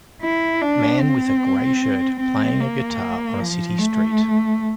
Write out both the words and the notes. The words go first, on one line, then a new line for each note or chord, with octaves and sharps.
Man with a gray shirt playing a guitar on a city street.
E4
D4
C4
C4
A#3
F3
A3